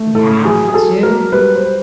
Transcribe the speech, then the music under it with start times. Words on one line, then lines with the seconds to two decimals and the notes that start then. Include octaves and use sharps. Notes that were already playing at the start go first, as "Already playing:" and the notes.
We have to?
Already playing: A3
0.15 A2 A4
0.44 F#3 G#4
0.68 G#4
0.74 F#3 A4
1.03 F#3 A#4
1.32 G3 B4
1.55 C5